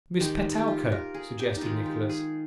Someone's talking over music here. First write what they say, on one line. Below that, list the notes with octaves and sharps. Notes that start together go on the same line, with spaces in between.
'Miss Petowker,' suggested Nicholas.
D#3 G#3 G4
G4
F4
A#4
G#4
G4
D#4
D#3 G#3 F4
G4
G#4